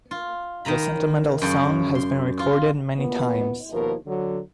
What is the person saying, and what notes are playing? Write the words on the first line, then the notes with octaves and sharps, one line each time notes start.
The sentimental song has been recorded many times.
F4
D#3 D#5 A#5 B5
F#2 C#3
C6
F4
A#2 E3 B3
D#2 B2 F3 A#4
D3 F#3